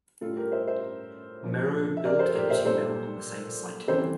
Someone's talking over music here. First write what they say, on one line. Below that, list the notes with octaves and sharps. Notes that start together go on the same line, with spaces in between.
Merrow built a knitting mill on the same site.
A2 G3 F4 A4
G4 A#4
C5 E5
C5 E5
A#2 F3
E5
A#4 D5
A4 C5
G4 A#4
C5 E5
A#2 G3 A4 C5
C3 E3 G3 A4 C5